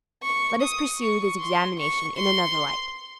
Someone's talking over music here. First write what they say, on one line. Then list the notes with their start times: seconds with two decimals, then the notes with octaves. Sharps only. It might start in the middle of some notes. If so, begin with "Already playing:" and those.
Let us pursue this examination in another light.
0.23 C#6
0.62 D#6
1.01 C#6
1.40 C6
1.78 C#6
2.18 C6